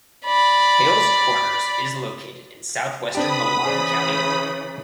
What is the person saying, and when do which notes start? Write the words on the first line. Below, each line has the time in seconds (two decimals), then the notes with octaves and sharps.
Hales Corners is located in southwestern Milwaukee County.
0.25 D5 B5
3.15 C4 D4 G4 B4 B5 D#6
3.65 C#3 E3 G#4 C5 D5